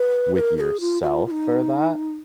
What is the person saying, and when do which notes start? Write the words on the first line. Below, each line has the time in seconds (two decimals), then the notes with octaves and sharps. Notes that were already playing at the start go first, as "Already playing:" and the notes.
with yourself for that
Already playing: B4
0.35 B4
0.40 A#4
0.57 A#4
0.61 G#4
0.80 F4
1.03 F#4
1.07 F4
1.26 F4
1.31 D#4